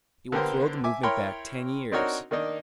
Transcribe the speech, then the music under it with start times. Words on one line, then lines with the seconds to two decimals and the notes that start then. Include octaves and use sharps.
It will throw the movement back ten years....
0.32 D3 A#3 B3 G4 A#4 C5
0.84 E5 G#5 D6
1.03 E4 A#4 C#5 G5 B5 C6
1.92 C4 D4 D#4 F#4 A#4 C#5
2.31 D#3 A#3 D4 D#4